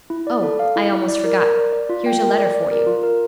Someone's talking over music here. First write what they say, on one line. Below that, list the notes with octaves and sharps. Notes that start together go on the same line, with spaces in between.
'Oh, I almost forgot--here's a letter for you.'
E4
D5
A4
F5
E4
E4
D5
A#4
A#4
D5
D5
F4
G5
A#4
D5
D5
A#4
F4
A#4